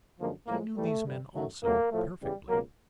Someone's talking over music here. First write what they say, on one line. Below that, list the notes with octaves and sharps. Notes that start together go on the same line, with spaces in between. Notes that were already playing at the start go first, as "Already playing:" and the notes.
He knew these men, also, perfectly.
F#2 D3 F3 G#3 A#3
A2 F3 G#3 A#3
G#2 E3 G3 A3
G2 D3 G3
F#2 D#3 F#3 A3
C#2 B2 F#3 A3 A#3
A2 F3 A3
E2 C#3 E3 G3
C#2 B2 F#3 A#3